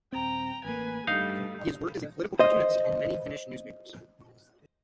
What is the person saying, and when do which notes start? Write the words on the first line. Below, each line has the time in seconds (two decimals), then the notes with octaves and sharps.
He has worked as a political cartoonist in many Finnish newspapers.
0.13 D#1 C4 G5 A#5
0.65 A1 A#3 B4 G#5
1.07 G2 G3 A3 D#4 F5
2.39 C5 D#5